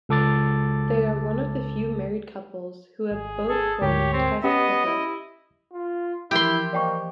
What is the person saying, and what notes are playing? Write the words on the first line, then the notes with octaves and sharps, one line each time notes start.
They are one of the few married couples who have both played Test cricket.
C#2 A4 D6 A6
G#1 G#4
G#4 A4
D2 G#2 G4 A#4 C#5
C4
B3 C#4 G4 D#5
E4
F4
E3 F3 E4 G4 A#4 C6
A#3 C5 D5 D#5 G5 C#6